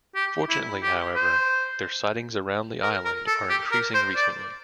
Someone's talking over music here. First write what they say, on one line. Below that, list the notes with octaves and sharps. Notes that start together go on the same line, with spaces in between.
Fortunately, however, their sightings around the island are increasing recently.
G4
E4
G4
C5
A#4
A#4
A4
G4
A#4
C5
D5